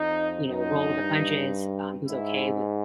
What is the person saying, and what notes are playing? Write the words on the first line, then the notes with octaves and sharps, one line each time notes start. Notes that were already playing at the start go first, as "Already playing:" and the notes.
you know, roll with the punches, um, who's okay with,
Already playing: F2 D#4
F#2 D#4
G2
G#2 E4